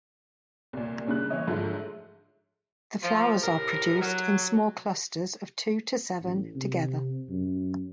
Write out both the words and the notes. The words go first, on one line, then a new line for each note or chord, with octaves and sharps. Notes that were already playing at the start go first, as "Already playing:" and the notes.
The flowers are produced in small clusters of two to seven together.
C2 A#2
A#2 C#3 G3 F#6
E3 C4 E4 C#5 D#5
G#2 D3 F3 F#3 A3 E4
F3
A2 C3 A#4
F#3
A1
C3
F#2